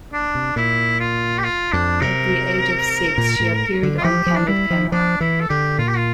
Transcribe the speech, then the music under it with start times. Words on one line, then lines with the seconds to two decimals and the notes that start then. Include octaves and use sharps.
At the age of six, she appeared on "Candid Camera".
0.13 D4
0.35 C3
0.56 A#2 E4
1.00 F4
1.38 G4
1.44 F4
1.72 F2 D4
2.01 C3 A#4
3.18 A#2
3.40 A2
3.83 D3
3.98 F4
4.04 F3 G4
4.26 F3
4.35 D4
4.48 G3 E4
4.70 F3
4.92 F3 D4
5.21 E3 E4
5.41 A4
5.49 D3 G4
5.78 A#2 F4
5.88 G4
5.96 F4